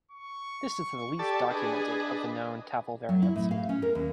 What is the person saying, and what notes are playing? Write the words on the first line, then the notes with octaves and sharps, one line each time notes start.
This is the least documented of the known tafl variants.
C#6
G4 A4 D5 A5
D4 G#4 B4 D#5 G#5
F#3
E4
A2
F5
C#4
A#4
D#2